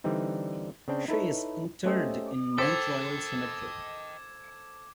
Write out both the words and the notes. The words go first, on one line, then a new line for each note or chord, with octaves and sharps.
She is interred in Mount Royal Cemetery.
D3 E3 G3 C4 D#4
C#3 C4 D4 G5
D#4 E4 A4 B4 C#5
A3 C#4 G4 C5 D#5 E5
A4 C5 D#5 G5 D6 G#6 B6